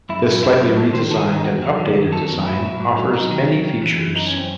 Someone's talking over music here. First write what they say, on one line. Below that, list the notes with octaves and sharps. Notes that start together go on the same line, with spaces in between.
This slightly redesigned and updated design offers many features.
F#2 E4
F#2
G#2 E4
F#3
G#2 A4
D#3 C5
D#3 A4
G#4
D#3
D#4
E2 F#4
F#3
D#3
D#3
F#3 A4
E2
G#2 E4
F#3
G#2
F#3
F#3 D#4
D#3
F#3
D#3
E3
F#2
E3 D#4
C#4
F#2
C4